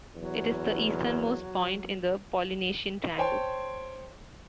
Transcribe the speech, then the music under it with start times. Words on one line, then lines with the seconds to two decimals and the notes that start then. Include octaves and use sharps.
It is the easternmost point in the Polynesian Triangle.
0.16 E2 F#3
3.18 C5 C#5 G5 A5 C6